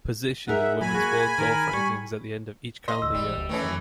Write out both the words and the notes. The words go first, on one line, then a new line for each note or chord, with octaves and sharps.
Position in Women's World Golf Rankings at the end of each calendar year.
D#4 G#4 A#4 E5 F#5
F#3 G#5 B5
A#3 F#4 G#4
D#3 A#4
G3 C#6
D#5 C6
D2 E6
E1 G3
D2
D#3 E3 A3 C#4
F#2